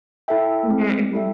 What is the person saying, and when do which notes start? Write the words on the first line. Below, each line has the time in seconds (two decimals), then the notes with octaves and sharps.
Mhm, mhm.
0.28 E4 A4 E5 G5
0.70 C4
1.13 E4 A4 E5 G5